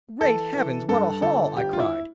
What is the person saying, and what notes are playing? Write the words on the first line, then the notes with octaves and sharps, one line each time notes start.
"Great Heavens, what a haul!" I cried.
E3 A4
E3
G2 A4
G1 A4
G1 G4
F4
E4